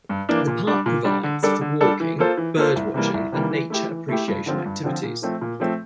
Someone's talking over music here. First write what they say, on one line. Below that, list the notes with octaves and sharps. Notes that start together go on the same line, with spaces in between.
The park provides for walking, bird watching and nature appreciation activities.
G2
E3 A#3 D4
A#2
G3 D4
A#2
G3 D4
D3
G3 D4 A4
D3
G3 D4 A4
E3
A#3 F4 A4 C5
E3
A#3 F4 A4 C5
C2
C3 E3 G3 A#3
C2
C3 E3 G3 A#3
E3
A3 E4 G4
E3
A3 E4 G4
G2
D3 F3 C4 F4
G2
D3 F3 C4 F4
A#2
F3 A3 C4
A#2
F3 A3 C4